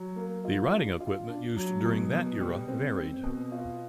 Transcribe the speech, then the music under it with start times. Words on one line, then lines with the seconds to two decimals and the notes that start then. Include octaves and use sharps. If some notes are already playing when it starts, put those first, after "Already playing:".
The riding equipment used during that era varied.
Already playing: F#3
0.16 A#3
0.45 F4
0.72 D4
1.00 F4
1.28 D4
1.56 F#3
1.85 B2
2.13 B2
2.40 G3
2.68 C4
2.96 C4
3.23 B2
3.52 F4